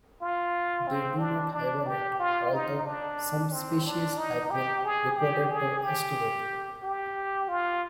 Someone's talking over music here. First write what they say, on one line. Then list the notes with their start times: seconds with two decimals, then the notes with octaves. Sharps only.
They do not hibernate, although some species have been reported to aestivate.
0.22 F4
0.87 C4
1.20 D4
1.54 D4
1.86 G4
2.20 F4
2.53 D#4
2.85 D4
3.52 C4
3.85 D4
4.18 D#4
4.50 G4
4.84 G#4
5.17 G4
5.51 G#4
5.83 G4
6.82 G4
7.48 F4